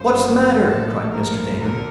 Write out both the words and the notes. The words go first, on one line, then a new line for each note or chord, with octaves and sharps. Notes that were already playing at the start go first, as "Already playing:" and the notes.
"What's the matter?" cried Mr. Damon.
Already playing: G1 F#2 C#3 C5
A#1 A2 F3 A4
A#4
D2 D3 A#4